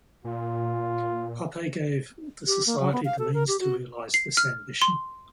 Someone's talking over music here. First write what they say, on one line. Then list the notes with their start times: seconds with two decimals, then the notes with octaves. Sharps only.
Pape gave the society the means to realize this ambition.
0.25 A#2 F4
2.47 G4
2.67 A#3
2.81 F#3
2.93 B3
3.05 F5
3.19 A4
3.34 A#4
3.48 G4
3.60 F#4
4.14 C7
4.37 F6
4.82 C6